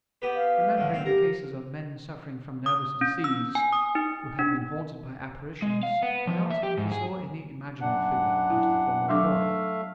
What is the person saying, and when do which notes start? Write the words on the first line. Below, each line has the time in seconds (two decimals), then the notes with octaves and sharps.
Remembering the cases of men suffering from nervous disease who had been haunted by apparitions, I asked if he saw any imaginary figure under the form of a boy.
0.22 B3 G4 B4
0.36 F5
0.77 A2 D3
0.93 A#1 C4 F5
1.06 G4 A#4
2.66 D#6
3.01 C#4
3.24 E6
3.55 G#5
3.73 D#6
3.95 D#4
4.39 D4
5.62 G#3
5.83 F5
6.02 B3
6.27 F3
6.50 E5
6.63 G4
6.78 G#2
6.92 G#4
7.81 F#2 D4 F#5
8.50 E4
9.08 F#3 A3 D4 E5 F5 D6